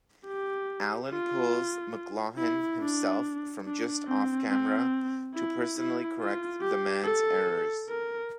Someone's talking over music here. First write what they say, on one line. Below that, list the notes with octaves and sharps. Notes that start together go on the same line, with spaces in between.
Allen pulls McLuhan himself from just off camera to personally correct the man's errors.
G4
F4
E4
D4
D4
C4
C4
E4
E4
F4
G4
A4
A#4